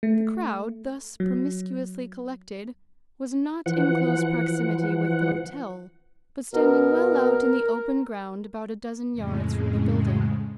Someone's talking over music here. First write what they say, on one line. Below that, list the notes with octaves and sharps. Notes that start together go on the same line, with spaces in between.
The crowd, thus promiscuously collected, was not in close proximity with the hotel; but standing well out in the open ground, about a dozen yards from the building.
A3
F#3
E3 F3 F#5
B2 A#4
F2 A2 C#3 G#3